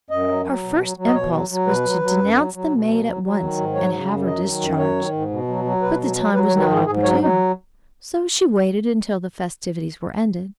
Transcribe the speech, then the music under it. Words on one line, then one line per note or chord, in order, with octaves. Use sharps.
Her first impulse was to denounce the maid at once, and have her discharged; but the time was not opportune, so she waited until the festivities were ended.
F#2 D#5
F#3
F#3
B2
F#3
F#3
D#5
B2 C#5
F#3
F#3
B2 B4
F#3
F#3
F#2
F#3
F#3
B2
F#3
F#3
F#3
D#3
G#2
F#3 C#5
C#3
F#2
F#3 D#5
D#3
F#2
F#3 C#5
D#3
G#2
B2
F#3
F#3
B2 B4
F#3
F#3
F#3 B4
C#5
D#3
B4
G#2 G#4
G#2 G#4
F#3 C#5
F#3 D#4